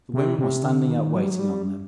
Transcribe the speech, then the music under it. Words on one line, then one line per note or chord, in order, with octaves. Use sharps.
The women were standing up waiting on them.
C3
C3
D3
D#3
F#3
G3
F#3
G3